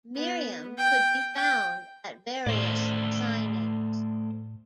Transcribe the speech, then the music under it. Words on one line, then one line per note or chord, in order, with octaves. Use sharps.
Miriam could be found at various signings.
B3
G5
G5
A2 A3 C5 D5